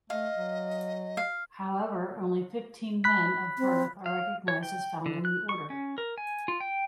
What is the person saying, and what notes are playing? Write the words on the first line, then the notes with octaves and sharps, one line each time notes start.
However only fifteen men of birth are recognized as founding the Order.
A3 D#5 F5
F#3
F5
B5 F#6 B6
C4
F5
C#5
G5
D3
F#6
C#6
C#4
A#4
G#5
F4
G5